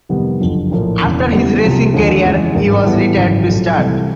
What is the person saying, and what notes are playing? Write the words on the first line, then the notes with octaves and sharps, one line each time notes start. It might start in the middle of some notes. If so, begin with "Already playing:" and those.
After his racing career, he was retired to stud.
F2 C3 D#3 G3 B3
F#1 F2 D3 F3
A#1 A2 F3 A#3
E1 E2 C#3
E2 C#3 E3 G3 B3
C2 C3 F3
D#2 D3 F3 G#3
F2 C#3 E3 G#3
G#1 G2 D#3
A2 E3 G3 B3
G#1 F#2 C#3 E3
B1 A2 F3 A3
C2 C3 E3 A3 C4